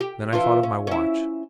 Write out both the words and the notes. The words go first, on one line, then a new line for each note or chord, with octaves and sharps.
Then I thought of my watch.
G4
E3 D4 F4
C#4
C#4 E4